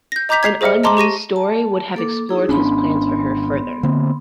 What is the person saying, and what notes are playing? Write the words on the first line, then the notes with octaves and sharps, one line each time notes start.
An unused story would have explored his plans for her further.
G6 A#6
D#5 A#5 D6 G6 B6 F7
G#6 B6 C7 F7
G#4 C5 D#5 E5 F6 C#7
D#5 A5 A#5 C6 D6
G4 C#6 A#6 D#7
A5
A#3 A4 D6
D#4 E4 G#4
G#1 B3 C#4 D4 B5 C6
D3 A#3 C4